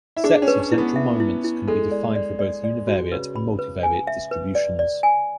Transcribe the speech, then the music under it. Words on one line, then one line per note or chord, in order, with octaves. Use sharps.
Sets of central moments can be defined for both univariate and multivariate distributions.
E4
D4 G#4
C#4
B4
C#4
E4
B3
E5
E4
E4
G#3 A4
D5
D5
D5
D5
F#4
C#3 B4
B5
B4
G#5
E5
B4
D5
D5
G#5